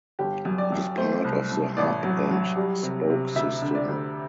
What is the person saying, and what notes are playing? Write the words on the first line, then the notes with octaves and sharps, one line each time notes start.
It is part of the hub-and-spoke system.
G1 G4
F#2
D5
F#2
A3 C5
C2
C2
A1 D5
F#3
F#3
G3
C3
C3
D2 E5
D3
D5
D2